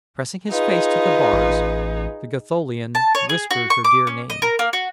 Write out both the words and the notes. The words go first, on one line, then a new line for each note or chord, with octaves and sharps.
Pressing his face to the bars the Gatholian whispered her dear name.
D#4 F4 G#4 B4
A1
A5
C#5
G#4
F#4
C#6
D6
C#4
D#5
A#4
A#3
F#4